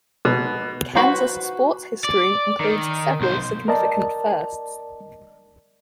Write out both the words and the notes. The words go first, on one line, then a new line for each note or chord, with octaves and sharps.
Kansas sports history includes several significant firsts.
B2
F#4 B4 C5 A#5
D5
D#3
B1 C5
A#4 D5 D#5 A5